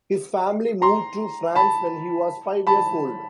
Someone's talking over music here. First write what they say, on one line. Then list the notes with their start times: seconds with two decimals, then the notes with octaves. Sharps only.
His family moved to France when he was five years old.
0.82 A#5 C6
1.55 A5 B5
2.67 A5 B5